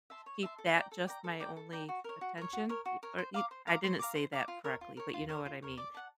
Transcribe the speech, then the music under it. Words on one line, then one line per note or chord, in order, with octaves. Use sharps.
keep that just my only attention, y or y I didn't say that correctly, but you know what I mean,
E5 A5 C6
C#5
E5 A5 C6
A4
D5 G5 A#5
A4
D5 G5 A#5
A4
D5 G5 A#5
A4
D5 G5 A#5
F#4
A#4 C#5
F#4
A#4 C#5
F#4
A#4 C#5
F#4
A#4 C#5
C5
F5 A#5 D6
C5
F5 A#5 D6
C5
F5 A#5 D6
C5
F5 A#5 D6
F4
A#4 C#5
F4
A#4 C#5
F4
A#4 C#5
F4
A#4 C#5
D5
F#5 A5